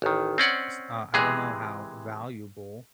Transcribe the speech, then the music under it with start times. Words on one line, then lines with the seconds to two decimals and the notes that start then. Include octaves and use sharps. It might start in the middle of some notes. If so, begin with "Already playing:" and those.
s uh, I don't know how valuable,
0.02 A1 D#3
0.38 C4 C#4 D5 F#5
1.14 C3 E3 G#3 G#4